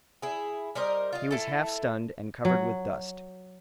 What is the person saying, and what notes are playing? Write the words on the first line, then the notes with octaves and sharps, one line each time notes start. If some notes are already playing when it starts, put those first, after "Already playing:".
He was half stunned and covered with dust.
E4 G#4
G3 A#4 C5 D#5
F4 D#5 F5
A3 E4 A4
F#3